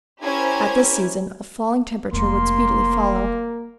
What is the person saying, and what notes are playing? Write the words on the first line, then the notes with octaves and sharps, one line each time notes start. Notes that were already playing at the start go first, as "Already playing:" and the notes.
At this season, a falling temperature would speedily follow.
C#4 E4 G4 A#4 C5 G#6
F1 F#3 A#3 C6